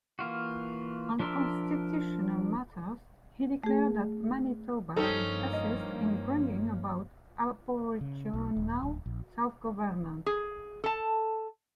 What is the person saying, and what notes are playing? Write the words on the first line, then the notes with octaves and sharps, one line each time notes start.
On constitutional matters, he declared that Manitoba would assist in bringing about aboriginal self-government.
E3 A#3 F4 F#4
F3 D4 A#4 E5 C6
A3 G#4
G2 F3 A#3 C4 C#4 D#4 A4
D#5
C#3
B1
D#1
D1
A#1
G#4
A4 A5